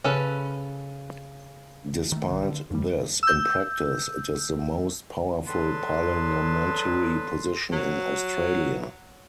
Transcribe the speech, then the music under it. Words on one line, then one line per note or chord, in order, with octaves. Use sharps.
Despite this, in practice it is the most powerful parliamentary position in Australia.
C#3 C#4 A4 B4
D#3 A3
B1 D3
D3
F2 G3
E6 G6
D3 F#3 G#4 B4 A5 C6
F#3